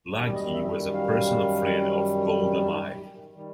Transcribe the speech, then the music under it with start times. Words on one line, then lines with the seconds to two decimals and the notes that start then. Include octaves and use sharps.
Laghi was a personal friend of Golda Meir.
0.14 F#2 D#3 G3 D5
0.34 D#5
0.54 E5
0.94 F5
3.35 D#3 G3